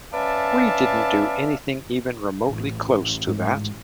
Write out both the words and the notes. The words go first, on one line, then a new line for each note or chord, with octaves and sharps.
We didn't do anything even remotely close to that.
C#4 B4 D5 E5 F5 A5
A1
G#2